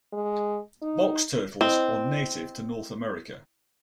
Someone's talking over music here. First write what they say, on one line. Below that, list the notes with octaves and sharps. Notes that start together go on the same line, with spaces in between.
Box turtles are native to North America.
G#3
D#4
C4 E4 D#5